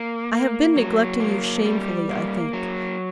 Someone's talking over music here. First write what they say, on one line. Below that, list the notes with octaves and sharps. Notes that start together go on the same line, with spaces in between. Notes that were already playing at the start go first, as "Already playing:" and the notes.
I have been neglecting you shamefully, I think.
Already playing: A#3
A#3
F#3
A#3
G3
A#3
F#3